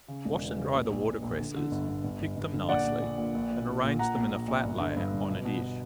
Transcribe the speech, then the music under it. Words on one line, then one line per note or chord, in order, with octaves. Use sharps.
Wash and dry the water-cresses, pick them nicely, and arrange them in a flat layer on a dish.
C#3
E1
E2
C#3
A#1
A#1
A#1
A#1
D3
D3
G1
G1
G1
G1
G1
D3
A#1 D5 F#5
A#1
A#1
A#2
A#1
A#2
A#1
A#2
A#2 F#5 A#5
A#1
A#1
A#1
G1
D3
G2
G1
B2
B2
B2